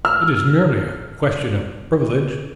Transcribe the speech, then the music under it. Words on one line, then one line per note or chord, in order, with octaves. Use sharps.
"It is merely a question of privilege."
E6 F6